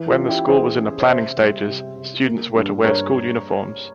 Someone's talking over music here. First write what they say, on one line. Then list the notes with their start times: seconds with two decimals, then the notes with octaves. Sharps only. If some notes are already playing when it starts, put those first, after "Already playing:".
When the school was in the planning stages, students were to wear school uniforms.
Already playing: E3
0.09 F4
0.19 C#4
0.28 E4 G4
0.48 E3 G#4 C5
0.78 C#4
1.00 C#5
1.07 C3 C5 E5
1.37 G3
1.66 C3
1.96 C3
2.25 A#3
2.55 G2
2.84 G2 A#4 C#5